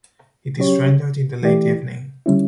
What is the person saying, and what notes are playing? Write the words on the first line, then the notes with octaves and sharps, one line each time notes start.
It is rendered in the late evening.
F#3 C#4 G4 C#5
E3 A3 E4 G4 D5
D3 G3 C#4 E4